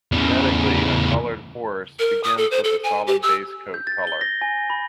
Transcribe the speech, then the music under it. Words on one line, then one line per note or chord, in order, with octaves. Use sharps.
Genetically, a coloured horse begins with a solid base coat colour.
E2 C#3
A#4
D#6
A4
C5
A4
G#5
G4
E6
G6
A6
G7
A#6
G#5
B5